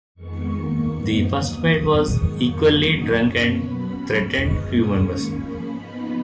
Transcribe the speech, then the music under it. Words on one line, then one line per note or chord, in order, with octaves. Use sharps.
The first mate was equally drunk and threatened crew members.
F2 D#3 G#3 B3 C#6
D#2 D#3 A#3 C#6
F#2 F3 B3 D#4
D#2 D#3 A#3 D#6
C#3 F#3 B3
G#2 D#3 G#3 D#4 C#6
F2 D#3 F#3 A#3
D#2 C#3 F#3 B3 D#4 D#6
F#2 F3 A#3 C#4 C#6
B2 F#3 B3 B5
C#3 F#3 C#4
F#2 F3 G#3 B3 D#4 C#6
B2 G#3 C#4 D#6
G#2 D#3 A#3 C#4 C#6
C#3 F3 A#3 C#4 B5
C#3 F3 B3 D#4 B5